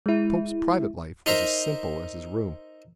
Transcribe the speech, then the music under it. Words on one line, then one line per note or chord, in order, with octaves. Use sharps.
The Pope's private life was as simple as His room.
G#3 E4
D#4 A#4 C5 D#5 E5 A#5